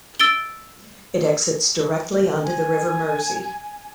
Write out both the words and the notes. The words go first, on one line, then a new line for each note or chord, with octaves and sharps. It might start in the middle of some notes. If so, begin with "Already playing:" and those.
It exits directly onto the River Mersey.
E6 A6 D7 G7
G#5